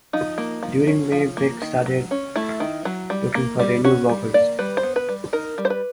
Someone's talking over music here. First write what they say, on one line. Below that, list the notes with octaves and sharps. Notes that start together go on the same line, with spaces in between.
During May, Beck started looking for a new vocalist.
F3 D#4
A#3
F3
C#4
F3
A#3
D#3
F#3
C#4
A3 E4
D#3
F#3
G3
A#3
G3
C#4 F#4
G3
A#3 D5
G3 B4
C5
B3
B4
G3
D#4 A#4
G3
C5
B4